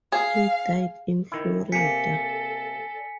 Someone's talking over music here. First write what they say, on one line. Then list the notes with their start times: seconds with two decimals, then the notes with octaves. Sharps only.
He died in Florida.
0.12 G#4 F5
1.32 D#3 E4
1.72 C3 A#3 A4 G#5 B6 C#7